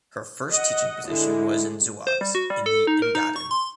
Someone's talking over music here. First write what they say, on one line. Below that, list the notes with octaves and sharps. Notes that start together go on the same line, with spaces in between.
Her first teaching position was in Zuoz in the Engadin.
D#5 F#5
D3 G#3 E4
C5
G3
F#4
G3
A4
D#4
A#4
D#4
C#6
C6